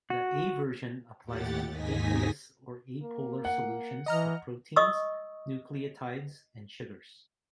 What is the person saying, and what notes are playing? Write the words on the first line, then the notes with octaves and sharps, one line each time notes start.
The A-version applies to aqueous or apolar solutions of proteins, nucleotides, and sugars.
F#4
D#2 A2 G4 F#5 A6
D#2 G#2 D#4 G#5 A#6 B6
A#3
F#5
E3 D#5 A#5 F6
D#5 C#6 D#6 E6